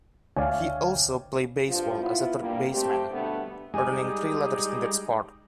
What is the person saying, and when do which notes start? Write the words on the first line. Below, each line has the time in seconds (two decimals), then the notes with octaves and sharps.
He also played baseball as a third baseman, earning three letters in that sport.
0.36 D2 C#5 D5 E5 F5 G5 G#5
1.69 G2 D3 F3
2.00 B3 E4 F4
2.41 G2 G3 A#3
2.73 A3 C4 G4
3.12 B2 D3 G3 A3 B3
3.74 G3 G#3 D#4 G#5